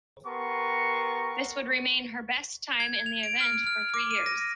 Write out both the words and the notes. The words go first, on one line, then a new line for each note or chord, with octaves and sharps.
This would remain her best time in the event for three years.
B3 G4 A#4 A5 C6 C#6
G#6
F7
D7
F6
F6
D6
D#7
A#6